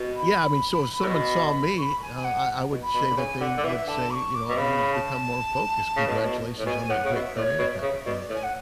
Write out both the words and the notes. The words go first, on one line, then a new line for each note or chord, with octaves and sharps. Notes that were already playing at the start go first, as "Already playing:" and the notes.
Yeah, I mean, so if someone saw me, uh, I I would say that they would say, you know, "You've become more focused, congratulations on that great career," type of thing,
Already playing: B2
B5
A2
B2 C#6
B5
B5
C#6
B5
G#5
G#5
F#5
B2
B5
B2
D3
C#3 G#5
D3 F#5
D3
E3 E5
D3 A5
D6
C#6
D6
B2
C#3 B5
A5
C#3
B2
A2
B2
A2
B2 G#5
A2 F#5
C#3
B2 E5
A2 D5
C#5
B2
E5
C#3
B2 D5
A2
G#5
F#5